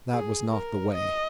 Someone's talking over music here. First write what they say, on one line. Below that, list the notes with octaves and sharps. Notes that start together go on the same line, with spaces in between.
That was not the way.
G#4
A#4
D#5